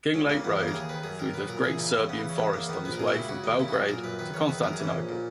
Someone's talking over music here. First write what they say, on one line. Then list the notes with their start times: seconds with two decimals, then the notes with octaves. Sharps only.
Kinglake rode through the great Serbian forest on his way from Belgrade to Constantinople.
0.14 C#2 C#4
0.30 C#3 A#3
0.44 E2 B3
0.59 C#3 A#3
0.68 A#4
0.74 D#2 G#4
0.89 D#3 B4
1.04 F#2 G#4
1.19 D#3 A#4
1.34 B1 B4
1.49 A#2 A#4
1.64 E2 G#4
1.79 C#3 D#4
1.94 E2 C#4
2.09 C#3 B3
2.24 E2
2.29 C#4
2.39 C#3 B3
2.53 E2 A#3
2.69 D#3 B3
2.84 A#1 B4
2.92 A#4
2.99 A#2 G#4
3.07 F#4
3.14 C#2 E4
3.29 C#3 F#4
3.44 D#2 D#4
3.59 C#3 E4
3.68 F#4
3.73 B1 G#4
3.88 A#2 A#4
4.04 F#2 B4
4.19 D#3 B4
4.34 E2 C#5
4.49 D#3 B4
4.63 F#2 A#4
4.73 G#4
4.78 E3
4.84 C#4
4.93 A#1
5.09 A#2